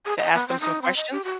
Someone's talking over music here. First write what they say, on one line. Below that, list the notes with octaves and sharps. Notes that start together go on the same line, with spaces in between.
to ask them some questions?
G#4
D#5
B3
C4
D#4
C4
D#5
G4
F#4